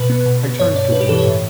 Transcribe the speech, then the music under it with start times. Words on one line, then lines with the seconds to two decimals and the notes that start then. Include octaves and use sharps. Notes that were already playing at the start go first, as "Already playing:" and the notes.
I turned to Weena.
Already playing: B2 B4
0.10 B3
0.26 B2
0.43 B2
0.59 G2 C#5
0.76 G2 D5
0.92 G2 B4
1.01 G4
1.09 E3 A4
1.18 C#5
1.26 A2